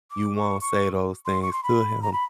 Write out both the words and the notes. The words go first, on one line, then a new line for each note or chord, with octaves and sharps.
you won't say those things to him,
D6
C#6
C#6
C6
C#6
C6
B5
A#5
B5